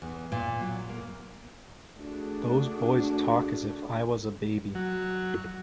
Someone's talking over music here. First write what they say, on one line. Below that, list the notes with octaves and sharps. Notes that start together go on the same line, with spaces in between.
Those boys talk as if I was a baby.
E2
A#2
F#3
A#3
A3 D4 F#4 G#4
F#3